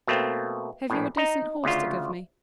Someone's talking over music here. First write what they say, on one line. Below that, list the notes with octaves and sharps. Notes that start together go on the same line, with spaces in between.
'Have you a decent horse to give me?
B2 A3 A#3 C4
A#1 A2
D#4 A#5
D2 C#3 F4